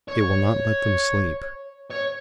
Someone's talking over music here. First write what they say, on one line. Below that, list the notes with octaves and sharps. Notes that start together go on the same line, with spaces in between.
It will not let them sleep.
C#5
C#5